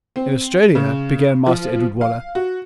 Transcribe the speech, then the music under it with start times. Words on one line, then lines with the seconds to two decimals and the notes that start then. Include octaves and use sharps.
'In Australia--' began Master Edward Waller.
0.16 C4
0.75 C#3
1.46 F3
2.01 F5
2.35 F#4